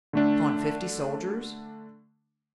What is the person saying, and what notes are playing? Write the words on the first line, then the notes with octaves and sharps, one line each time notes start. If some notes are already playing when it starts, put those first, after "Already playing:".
"Upon fifty soldiers?"
D3 A3 D4